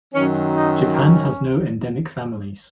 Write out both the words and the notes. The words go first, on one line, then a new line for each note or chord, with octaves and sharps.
Japan has no endemic families.
F#2 D#3 F#3 C#4
D#4
C#4